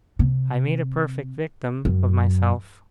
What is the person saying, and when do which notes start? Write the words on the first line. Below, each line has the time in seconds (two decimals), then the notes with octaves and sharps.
I made a perfect victim of myself.
0.19 C3
1.85 F#2